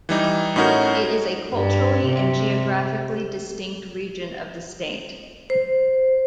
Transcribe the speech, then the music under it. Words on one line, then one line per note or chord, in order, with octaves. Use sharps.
It is a culturally and geographically distinct region of the state.
E3 G3 D#4
A2 C#4 D#4 F#4 A#4
G2
C3
C5